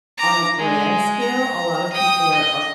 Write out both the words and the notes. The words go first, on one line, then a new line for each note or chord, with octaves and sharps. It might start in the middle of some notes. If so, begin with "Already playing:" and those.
on a grand scale, a lot of people are
A#5 D6
G#3
A#5
G5 D#6
D#5